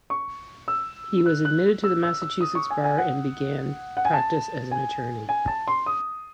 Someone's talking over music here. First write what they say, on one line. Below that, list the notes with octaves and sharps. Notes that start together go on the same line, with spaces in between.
He was admitted to the Massachusetts Bar and began practice as an attorney.
C#6
E6
F#6
F#6
E6
E6
E6
D#6
C#6
G#5
G#5
F#5
F#5
G#5
A5
G#5
G#5
A5
C6
D#6